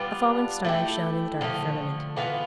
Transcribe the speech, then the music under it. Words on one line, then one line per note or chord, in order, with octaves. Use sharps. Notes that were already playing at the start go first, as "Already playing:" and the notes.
A falling star shone in the dark firmament.
Already playing: G3 B3 D4 F4
A3 E4 G4
D3 F3 A3
E3 B3 F4 B4